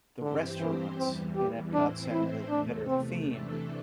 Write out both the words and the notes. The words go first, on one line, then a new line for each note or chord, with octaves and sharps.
The restaurants in EPCOT Center that are themed.
G2 D3 E3 C4 G4 C5
E3
E2 E3 G3 C4
G4
A2 E3 C4 D4 E4 C5
E4
E2 C3 A3 D4
C4
C3 E3 A3 D4 A4